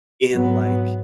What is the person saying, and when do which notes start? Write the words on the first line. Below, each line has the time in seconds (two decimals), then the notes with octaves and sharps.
in, like
0.31 G#2 F#3 B3